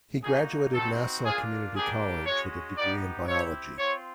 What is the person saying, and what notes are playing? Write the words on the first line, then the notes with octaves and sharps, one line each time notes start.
He graduated Nassau Community College with a degree in Biology.
A#3 D#4 F#4 G#4
C4 D#4 F#4 A4
A#3 D4 F4 G#4
G3 A#3 D4 G4 G#4
G#3 C#4 F#4 C#5
B3 D#4 G4 D5
C4 E4 G4 C#5
C4 F4 C#5